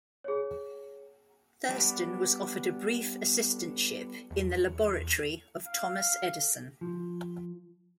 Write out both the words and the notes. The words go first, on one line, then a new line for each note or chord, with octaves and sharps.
Thurstone was offered a brief assistantship in the laboratory of Thomas Edison.
G#4 C#5
G3 B3 D4
E2
F5
F3